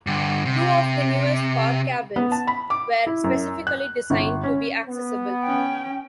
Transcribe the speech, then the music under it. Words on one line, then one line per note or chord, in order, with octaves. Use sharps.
Two of the newest park cabins were specifically design to be accessible.
G2 D3
C3
B3
A5
B5
D6
E4
F#2
F#6
G1
C#4
B3
C#4 G5